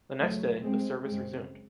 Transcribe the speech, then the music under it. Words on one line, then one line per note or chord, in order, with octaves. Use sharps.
The next day, the service resumed.
E2 C#3 F#3 A3
G#3 C4
F#2 C#3 G#3 C4